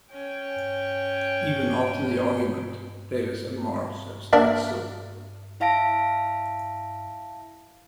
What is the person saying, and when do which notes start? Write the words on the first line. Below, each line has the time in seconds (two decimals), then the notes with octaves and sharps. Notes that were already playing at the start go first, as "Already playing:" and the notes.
Even after the argument Davis and Marz have stayed civil.
0.12 C#4 G5
4.33 A#3 D4 A#4 D5 E5
5.60 E4 E5 F5 A5 A#6 D7